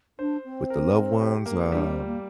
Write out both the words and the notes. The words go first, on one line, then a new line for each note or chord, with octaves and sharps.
with the loved ones, um
D4 C5
C4
A#4
G4
A#3
G3 D4
C4
A#3